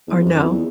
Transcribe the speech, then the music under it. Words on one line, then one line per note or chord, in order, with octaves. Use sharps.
or no?
E2
F#2
F2
E2